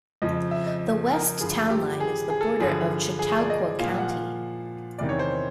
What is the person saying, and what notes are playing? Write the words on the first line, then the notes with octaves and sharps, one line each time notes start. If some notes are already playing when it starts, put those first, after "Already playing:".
The west town line is the border of Chautauqua County.
F2 C#3 F3 D#5
E5
D#5
A#4
G2 D3 F3 G#4
G4
G#4
G#4
A4
G2 D3 F3 G#4
G#4
G#4
D5
D#5
A#2 F3 F5
F5
F#5
F5
E2 C3 D#3 D5
C#5
C5